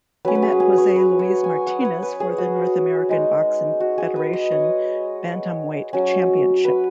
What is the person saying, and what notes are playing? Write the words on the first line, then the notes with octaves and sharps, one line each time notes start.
He met Jose Luis Martinez for the North American Boxing Federation bantamweight championship.
F#3 C#4 B4
B4
G#4
G#4
C#5
B4
C#5
G#5
F#5
B4 C#5
B4
G#4
F#4
G#3 D#4
F#4
G#4
B4
D#5
C#5
F#3 C#4
B4